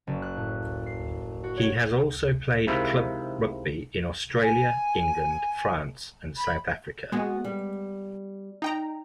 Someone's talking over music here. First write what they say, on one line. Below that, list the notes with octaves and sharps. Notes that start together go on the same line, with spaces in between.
He has also played club rugby in Australia, England, France and South Africa.
F#1
F#6
A2
C7
F#4
C#5
G#2 C3 E4 F4 A#4
G#5
B5
G#3 B3 F#4
G3
D#4 G5 A#5